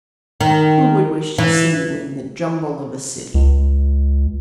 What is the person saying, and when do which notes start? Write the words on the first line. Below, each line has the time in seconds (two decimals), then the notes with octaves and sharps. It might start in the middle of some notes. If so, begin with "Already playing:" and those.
Who would wish to see you in the jumble of a city?
0.41 D#3
1.38 E3
3.34 C#2